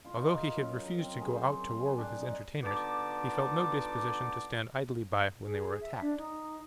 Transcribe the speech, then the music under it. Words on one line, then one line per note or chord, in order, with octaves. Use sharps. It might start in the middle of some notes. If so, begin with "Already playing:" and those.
Although he had refused to go out to war with his entertainers, he felt no disposition to stand idly by when they were attacked.
F4
D#4
A#4
F#2
A#4
C4
G#4
C5
G#5
D4
D#4
D3 B3 D#4 F4 A5 D6
G#4
E5
D4
D#4